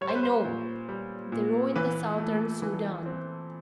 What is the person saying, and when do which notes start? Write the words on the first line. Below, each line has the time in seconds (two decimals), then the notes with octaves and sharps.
'I know--the row in the Southern Soudan.
0.01 G3 C#5
0.08 C5
0.15 B4
0.23 C5
0.45 A#2
0.89 G3
1.32 A#2
1.76 E3 B4
2.19 A3
2.62 E3
3.06 C4